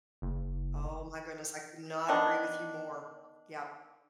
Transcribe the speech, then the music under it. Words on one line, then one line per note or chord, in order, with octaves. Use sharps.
Oh my goodness, I could not agree with you more. Yup.
F#1
D#3 B3 D4